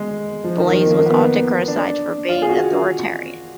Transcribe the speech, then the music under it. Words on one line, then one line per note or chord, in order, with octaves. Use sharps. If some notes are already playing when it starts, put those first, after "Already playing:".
Blaize was often criticized for being authoritarian.
Already playing: G#3
F3
D#3
F3
D#3
A#3
B3
D4
F4
G#4
F#4